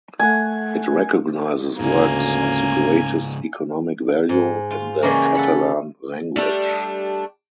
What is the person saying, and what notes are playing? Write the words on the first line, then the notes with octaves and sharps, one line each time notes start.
It recognizes works of the greatest economic value in the Catalan language.
A3 F#5 G#5
D2 G#2 C#3 A#3 C#4 G#5
G#2
F4
C#3 E3 G3 G#3 A#3 C#4
A4 F#5 B5
G3 A3 D4